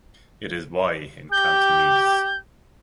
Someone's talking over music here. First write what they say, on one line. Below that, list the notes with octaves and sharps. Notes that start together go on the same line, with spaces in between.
It is Wai in Cantonese.
G4 G6